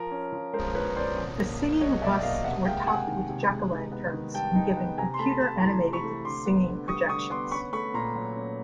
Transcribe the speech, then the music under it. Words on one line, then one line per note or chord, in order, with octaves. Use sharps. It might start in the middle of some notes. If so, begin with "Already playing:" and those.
The singing busts were topped with Jack-O-Lanterns and given computer-animated singing projections.
Already playing: F3 A#4
C#4
F3
G#3 A#4 C5
F3 B4 C#5
C#4 C5 D5
B2
A#3
B2
F#3 C#5 D#5
B2 D5 E5
A#3 D#5 F5
C3 E5 F#5
G#3 F5 G5
C3 F#5 G#5
D#3
C3
G#3
D#4
B3
D#3
G3 G5 A5
D#4
B3
C3 G#5 A#5
C6
A3 A5 B5
C3 A5 B5
E3 A#5 C6
C3
B5 C#6
A3
D3 C6 D6
B3
D3
G3 C#6 D#6
D3 C#6 D#6
B3 C6 D6
C#4 B5 C#6
A3 B5 C#6
A#2 A#5 C6
F#3
C#4